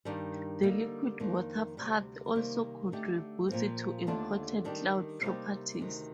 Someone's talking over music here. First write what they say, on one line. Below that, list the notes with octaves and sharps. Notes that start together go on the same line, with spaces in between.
The liquid water path also contributes to important cloud properties.
G2 D#3 G3 D4
D3 G3 A#3 D#4
F2 D#3 A#3 D4
D2 C3 G3
C3 D#3 G3 A#3
D3 A3 D#4 G4
A#2 F3 C4
D#2 D3 A3 D4 F4
D#3 G3 D4 G4
C3 G3 A#3 D#4 G4
D2 C3 D#3